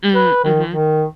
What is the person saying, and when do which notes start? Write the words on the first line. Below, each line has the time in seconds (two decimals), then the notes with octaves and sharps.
Mm, mhm.
0.15 B4
0.44 D#3
0.71 D#3